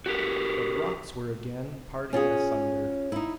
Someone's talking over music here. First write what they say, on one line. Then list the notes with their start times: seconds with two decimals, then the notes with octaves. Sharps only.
For the rocks were again parting asunder.
0.06 F#4 G4 A#4
2.13 C#4 F4 F#4 G#4
3.12 D#4 E4